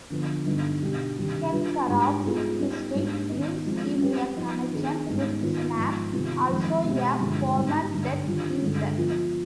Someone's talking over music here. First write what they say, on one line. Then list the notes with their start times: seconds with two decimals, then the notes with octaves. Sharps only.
Karkaroff's history gives him a connection with Snape, also a former Death Eater.
0.10 D3 F3 B3
0.46 G2 D3 G3 B3 D#4
0.81 B2 G3 D4 G4
1.16 C3 D#3 G3 D4 G4
1.52 G3 D4 F4 B4
1.88 G#2 G3 D4 G4
2.23 G#2 G3 B3 F4 G#4
2.59 G3 B3 D#4 G4
2.94 G#2 G3 B3 D4
3.30 D#3 B3 D#4
3.65 F3 G#3 C4
4.00 G3 C4 G4 B4
4.36 F3 B3 D#4
4.71 D#3 B3 D4 G#4
5.06 G#2 G3 B3 D#4
5.42 D#3 B3 F4
5.77 G#2 F3 G#3 B3 D#4
6.13 C3 D#3 G3 B3 F4
6.49 F2 D#3 G#3
6.84 B2 G#3 C4 G4
7.19 G2 D3 F3 G#3 D4
7.55 G#2 G3 B3 D#4
7.90 G2 D3 G3
8.26 D#3 G3 D4 F4
8.61 G2 D3 G#3
8.97 F3 B3 F4